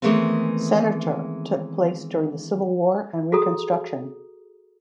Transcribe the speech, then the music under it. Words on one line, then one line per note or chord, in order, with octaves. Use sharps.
Senator took place during the Civil War and Reconstruction.
D#3 E3 G#3 A3 B3 C4
F#4 G#4 A4 A#5 D#6